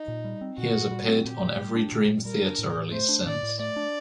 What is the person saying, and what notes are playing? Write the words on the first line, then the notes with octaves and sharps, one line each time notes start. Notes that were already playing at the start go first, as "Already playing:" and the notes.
He has appeared on every Dream Theater release since.
Already playing: D#4
A#2
G3
C4
A#2 F#4
A#2
G3
C4
A#2 G4
A#2
G3
D4
A#2
A#2
G3 A#4
D4
A2
A2
A3 C5
D4
A2 D5
A2
A3 D5
D4